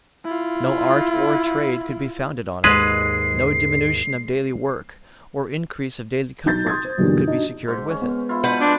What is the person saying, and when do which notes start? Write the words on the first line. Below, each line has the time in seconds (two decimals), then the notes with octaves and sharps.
No art or trade could be founded on it; no diminution of daily work or increase of daily comfort could be secured with it.
0.24 E4 F4
2.64 D#2 G#2 G#3 G#4 B4 C7
6.45 B1 D#4 G6 A6
6.66 C6 D#6 G#6 A6
6.85 C5
6.98 B1 G2 A#2 D3 E3 G3
7.27 D4 D#4 F#4 D#5
7.68 G#2
7.89 C#4
8.02 B3
8.29 E4 F4
8.44 B2 D4 B4 C5 F#5
8.61 D4 G#4 C5